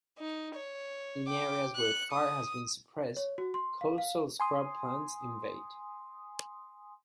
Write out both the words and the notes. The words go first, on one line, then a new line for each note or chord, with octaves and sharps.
In areas where fire has been suppressed, coastal scrub plants invade.
D#4
C#5
G5 D6
F#6 C#7
D#6
C#5
F#4
C6
F5
F5
G#5 C6 D#6